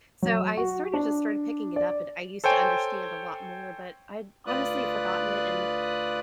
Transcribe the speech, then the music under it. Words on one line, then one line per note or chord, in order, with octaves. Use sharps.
So, I sorta just started picking it up, and I used to understand a lot more, but I'd honestly forgotten it, and
F#3
F#4
D4
D5
A4 C5 C#5 G5 G#5
D2 F4 B4 D5 D#6 F#6